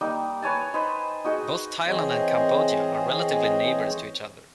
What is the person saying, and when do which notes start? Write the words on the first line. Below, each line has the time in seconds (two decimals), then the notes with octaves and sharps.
Both Thailand and Cambodia are relatively neighbors to each other.
0.01 G3 A#3 D#4
0.42 B4 C#5 G#5 A5
0.74 D#4 B4 C5 B5
1.24 D#4 F#4 G#4 D#5
1.87 E3 C4 G#4 C5 C#5 D#5